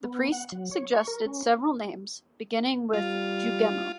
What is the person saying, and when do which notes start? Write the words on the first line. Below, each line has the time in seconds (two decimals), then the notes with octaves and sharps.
The priest suggested several names, beginning with "Jugemu".
0.04 B3
0.32 F#5
0.52 F#3
0.71 C#5
0.94 C#6
1.07 A#4
1.26 C#4
2.93 G3 F4